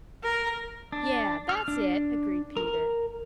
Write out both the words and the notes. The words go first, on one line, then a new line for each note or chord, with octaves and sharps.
"Yes, that's it," agreed Peter.
A#4
D4
F6
D4
A#4